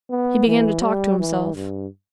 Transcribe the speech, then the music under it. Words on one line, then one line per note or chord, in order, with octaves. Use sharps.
He began to talk to himself.
B3
E3
G3
E3
G2